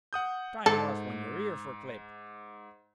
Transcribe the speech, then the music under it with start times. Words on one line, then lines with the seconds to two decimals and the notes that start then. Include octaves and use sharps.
Time was when your ears were clipped.
0.13 F#5 D#6 G6
0.66 G#2 A4